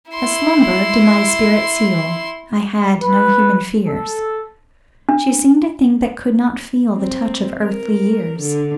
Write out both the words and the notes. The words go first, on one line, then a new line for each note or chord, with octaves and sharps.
A slumber did my spirit seal; I had no human fears: She seem'd a thing that could not feel The touch of earthly years.
E4 C6
B4
A4
D4
C4
A#4
D3